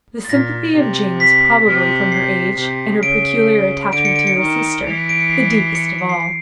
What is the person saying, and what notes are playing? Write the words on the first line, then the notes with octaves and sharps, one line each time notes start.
The sympathy of Jane was probably, from her age, and her peculiar attachment to her sister, the deepest of all.
A6
A#2 A#6
C3
B6
C3
C7
C3
C#3 D7
D3 D7
C#7
D7
C#7
D#3
E3
D7
C#7
C7
C7
C#7
C#7
C#7
C7
C7